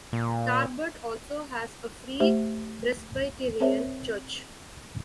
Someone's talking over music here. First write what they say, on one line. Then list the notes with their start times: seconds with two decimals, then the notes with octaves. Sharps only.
Tarbert also has a Free Presbyterian church.
0.13 A#2
2.20 A3 G4 C5 E5
3.60 C4 A#4 C5 C#5 E5